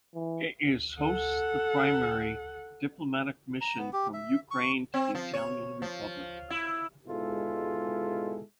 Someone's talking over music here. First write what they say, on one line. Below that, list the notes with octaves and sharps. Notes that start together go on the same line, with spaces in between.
It is hosts the primary diplomatic mission from Ukraine to the Italian Republic.
E3
A4 F#5
A#5
B3
G4
E5
C#6
C4
F3
C#5
F3
E4
G#2 B2 G#3 E4 F4 A4